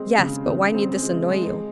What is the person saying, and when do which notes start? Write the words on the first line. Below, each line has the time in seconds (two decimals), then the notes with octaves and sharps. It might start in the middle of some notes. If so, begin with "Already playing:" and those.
"Yes; but why need this annoy you?"
Already playing: G#3 C4
0.18 C#3
0.47 C#3
0.75 C4
1.02 G#3
1.30 G#3